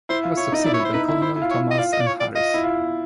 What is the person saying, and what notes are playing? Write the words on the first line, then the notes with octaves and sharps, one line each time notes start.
He was succeeded by Colonel Thomas M. Harris.
E4 C5
F4
E4 C#5
D#4 D#5
E4 D5
C#5
E4
C5
D#4 B4
E4
E4 C5
E4
F4
C#5
D#5
F4 D5
D#5
D5
C#5
D5
F4 D#5
E4
F4